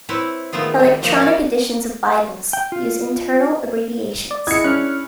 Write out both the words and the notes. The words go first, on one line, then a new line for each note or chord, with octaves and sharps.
Electronic editions of Bibles use internal abbreviations.
C4 E4 B4 C#5
D#3 A3 B3 F4 G#4
G3
F3 A#3 C#4 D#4
F#4 D5 F5
G5
F4
D5
E4 G#4 D#5 G#6 C#7
C#4 D4 F6 F#6